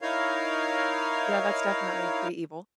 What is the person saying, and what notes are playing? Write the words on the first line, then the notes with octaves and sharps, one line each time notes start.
Yeah, that's definitely pretty evil.
D#4 E4 A#4 C#5 F5